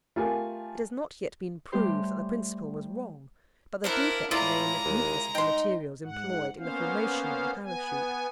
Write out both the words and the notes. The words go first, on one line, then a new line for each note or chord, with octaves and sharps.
It has not yet been proved that the principle was wrong, but the defect lay in the weakness of the materials employed in the formation of the Parachute.
A3 F4 G4 A#4 G#5
G3 A3 C#4 G4 C5 C6
D4 E4 A#4 C5 F5 F#5
A2 G#3 E4 F4 D5 A#5
D#2
D#4 G5 C6
G#2 F#5
A#3 B3 C#4 C5 F5
B3 G#5